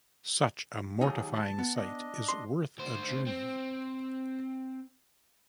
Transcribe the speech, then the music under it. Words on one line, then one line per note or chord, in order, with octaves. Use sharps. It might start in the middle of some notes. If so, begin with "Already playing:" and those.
Such a mortifying sight is worth a journey.
D#2 F#3 D#4 G#4
A5
B3
D4 D#5
C6
D2 C5
C4